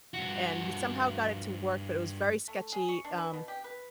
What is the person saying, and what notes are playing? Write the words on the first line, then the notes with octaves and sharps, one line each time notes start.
and we somehow got it to work, but it was very sketchy. Um,
G2 F#4
A3
G#4
C#6
D4
B4
B2
G4
B4